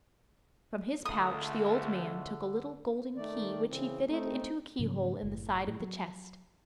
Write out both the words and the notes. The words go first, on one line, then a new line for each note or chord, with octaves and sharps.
From his pouch the old man took a little golden key, which he fitted into a key-hole in the side of the chest.
C#2 D3 A3 D#6
D#3 A3 D5
C#3 E3 C4
A3 C4 D#4
G#2 C#3 F3 A#3
F#1 A2
A2
F#3